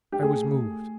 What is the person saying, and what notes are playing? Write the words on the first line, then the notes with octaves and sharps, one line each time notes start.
I was moved.
G4
A3 G#4